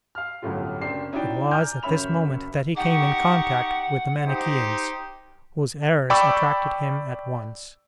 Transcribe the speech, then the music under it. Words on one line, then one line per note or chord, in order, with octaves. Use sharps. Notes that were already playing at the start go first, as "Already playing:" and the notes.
It was at this moment that he came in contact with the Manicheans, whose errors attracted him at once.
F5 F6
G1 C2 F#2 A2 F#3 F4
F#1 C4 D4 C7
C#4 D#4 E4 F#4 D5 G5
G#5 A#5 D6 F6 G6
F#1 C#4 E5 B5 F7
D#4 G4 F#5 C#6
D#4 G4 C5
D5 G5 B5 C#6 D6 E6